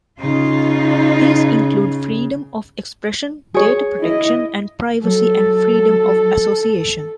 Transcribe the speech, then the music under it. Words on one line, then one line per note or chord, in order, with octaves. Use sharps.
These include freedom of expression, data protection and privacy and freedom of association.
C#3 D#4 F4
G#4 C#5
E4 D#5
F#3 A4